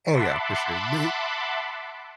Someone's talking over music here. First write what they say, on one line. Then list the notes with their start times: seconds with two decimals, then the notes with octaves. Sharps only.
Oh, yeah, for sure. The
0.12 E5 F#5 A5 B5 C6 D6